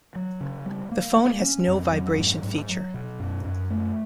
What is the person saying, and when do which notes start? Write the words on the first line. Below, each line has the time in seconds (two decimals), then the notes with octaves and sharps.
The phone has no vibration feature.
0.15 F#3
0.41 C#3
0.66 G3
0.91 A#3
1.17 A#3
1.42 C#4
1.68 F2
1.92 F#3
2.18 G#2
2.44 G#2
2.69 F#3
2.94 B2
3.20 F#2
3.45 F#2
3.70 A3